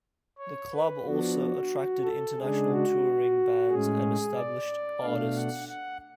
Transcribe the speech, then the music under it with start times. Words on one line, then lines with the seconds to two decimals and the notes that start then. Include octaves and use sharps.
The club also attracted international touring bands and established artists.
0.38 C#5
0.71 B4
1.04 F3 B3 D4 F#4
2.04 A4
2.37 C#3 G#3 D4 G#4
2.70 F#4
3.70 A2 G#3 C#4 G#4
4.36 D5
5.02 B2 A3 D4 F5
5.36 F#5
5.69 F#5